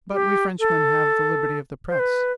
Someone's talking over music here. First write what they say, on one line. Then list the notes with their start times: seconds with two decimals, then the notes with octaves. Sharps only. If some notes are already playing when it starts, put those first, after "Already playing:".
But we Frenchmen have the liberty of the press.
0.13 G4
0.59 A4
1.88 C5
1.99 B4